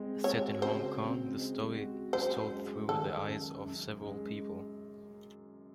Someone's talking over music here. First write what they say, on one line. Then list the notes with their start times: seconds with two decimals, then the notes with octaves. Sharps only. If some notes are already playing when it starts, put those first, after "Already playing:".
Set in Hong Kong, the story is told through the eyes of several people.
Already playing: G#3 C4
0.24 F#4 C#5
0.62 C#3 C5
1.00 C4
1.38 G#3
1.76 F#4
2.13 F#2 C5
2.51 G#3
2.88 D#3 A4
3.26 F#2
3.64 F#2
4.02 G#3